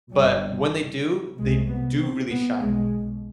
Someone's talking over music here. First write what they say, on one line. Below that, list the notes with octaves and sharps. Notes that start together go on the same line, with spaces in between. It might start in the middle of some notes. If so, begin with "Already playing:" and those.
But when they do, they do really shine.
G1 G2 G3
C2 C3 G#3
B3
C4
B3
B1 B2 G#3